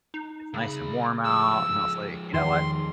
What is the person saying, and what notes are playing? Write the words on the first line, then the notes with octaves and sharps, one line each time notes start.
it's nice and warm out, and I was like, "you know what,
D#4
C2 C#3 B5
F3 G#3 E6
E2 D#3 C6